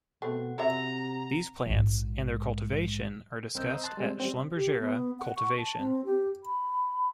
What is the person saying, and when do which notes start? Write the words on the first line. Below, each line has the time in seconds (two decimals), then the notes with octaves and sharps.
These plants and their cultivation are discussed at "Schlumbergera:" Cultivation.
0.22 B2 A3 C4 F#5
0.58 C3 F#4 C5 E5 A#5
1.66 A#1 G#2
3.55 C2 C4 A#4 D#5 E6 G6
3.70 C5 D#5 A#5
3.84 A5 C6 F#6 A6
3.97 G3 G#3 C4
4.20 G3 C4
4.56 G4
4.79 B3
5.19 F#5
5.37 C#6
5.58 A5
5.78 C4
6.05 G4
6.44 B5